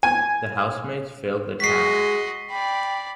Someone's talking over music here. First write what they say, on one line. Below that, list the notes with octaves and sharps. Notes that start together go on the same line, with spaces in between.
The housemates failed the task.
G#5
G#3 F#4 D#5 B6 C7
D5 G5 B5